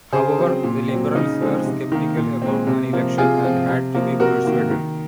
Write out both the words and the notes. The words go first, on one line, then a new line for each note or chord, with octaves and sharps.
However the Liberals were sceptical about an election and had to be persuaded.
C#3 G#4 C5
F#3 C4
A#2
F#3 C4
C#3 D#4
F3 G#3 C4
C3
D#3 A#3
A#2
G#3 C4
C3
F3 A#3
C3 F4 G#4
F3 C4
C3
F3 A#3
C3 F#4 A#4
D#3 A#3
D#3